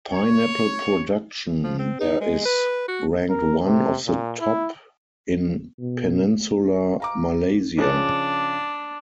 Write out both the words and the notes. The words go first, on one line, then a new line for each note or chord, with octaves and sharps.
Pineapple production there is ranked one of the top in Peninsular Malaysia.
C#5
F3
C4
D#4
G#3
B4
F#4
A#4
C3
A#2
E4
B2
F5 A#5 D6
C#3 F3 C#4 D4